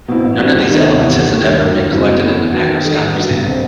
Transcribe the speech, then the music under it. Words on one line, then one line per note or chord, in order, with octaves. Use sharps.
None of these elements has ever been collected in a macroscopic sample.
B2 F#3 C4 E4
A1
A2 G3 C4 F#4
D#2
D#3 G3 B3 D#4
C3
E3 B3 E4
D#2
D#3 A3
G2
D#3 F#3
F#1
F#2 F#3 C4 E4
B2
A3 E4 B4
E2
D#3 F#3 B3
D#3
G3 D#4 A4
A1
G2 F#3
B1
B2 F#3 C4